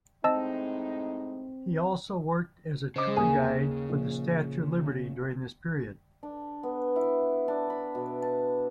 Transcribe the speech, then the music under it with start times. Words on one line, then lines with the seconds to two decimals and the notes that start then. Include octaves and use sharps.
He also worked as tour guide for the Statue of Liberty during this period.
0.24 A2 G#3 C4 D#4 D#5 A5 E6
2.96 C#3 C5 D#5 D6
3.17 D#2 G#4
3.89 A#1
6.23 D4
6.63 B3
6.96 E4
7.48 D4
7.70 B5
7.95 B2
8.22 A5